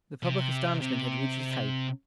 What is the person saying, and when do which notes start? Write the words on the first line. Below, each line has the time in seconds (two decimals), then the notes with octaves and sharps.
The public astonishment had reached its height.
0.23 C3
0.80 C3